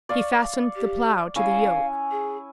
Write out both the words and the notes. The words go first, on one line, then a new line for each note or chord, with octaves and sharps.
He fastened the plow to the yoke.
D5 F5 C#6
G4
C#4 E4 F5 G#5
G#4